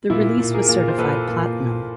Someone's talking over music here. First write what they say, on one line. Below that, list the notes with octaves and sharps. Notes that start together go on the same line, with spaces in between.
The release was certified platinum.
A#2 E4
A#2
G#4 A#4
A#2
C5
A#2 A4 B4
A#2